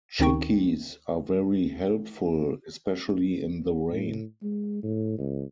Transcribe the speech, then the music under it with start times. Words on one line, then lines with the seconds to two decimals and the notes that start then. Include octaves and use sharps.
Chickees are very helpful, especially in the rain.
0.19 D2 D#3 C4 D#4 G5 C#6
3.90 A2
4.42 G#3
4.83 A2
5.18 C#2